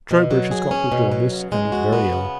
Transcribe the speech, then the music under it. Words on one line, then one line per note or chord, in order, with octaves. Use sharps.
Troubridge has got the jaundice, and is very ill.
B2
F#3
G#4
C#4
B2
F#3
C#3
G#3
F#4
B3
C#3